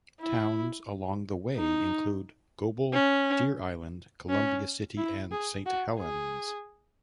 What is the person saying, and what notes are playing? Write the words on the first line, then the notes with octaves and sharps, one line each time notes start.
Towns along the way include Goble, Deer Island, Columbia City, and Saint Helens.
E4
D#4
C#4
C#4
E4
G#4
F#4
G#4